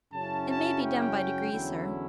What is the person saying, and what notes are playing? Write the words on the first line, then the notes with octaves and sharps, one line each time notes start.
'It may be done by degrees, Sir.
F#2 C#3 F#3 C#4 E4 A5
A5
G5
E2 D3 F#3 C#4 E4